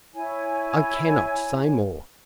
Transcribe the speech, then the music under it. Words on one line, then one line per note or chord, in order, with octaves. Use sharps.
I cannot say more.
E4 C#5 G#5